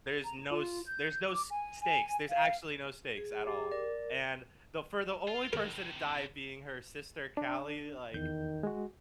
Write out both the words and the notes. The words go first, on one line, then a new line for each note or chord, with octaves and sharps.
There's no s there's no s stakes, there's actually no stakes at all, and the for the only person to die being her sister, Callie, like
A#5
F4
G6
D6
G#5
G#5
F5
G#4
G4
A#4 D5
F4
A2 C3 A#4
D4
E2 D#3 G6
G#3 F#4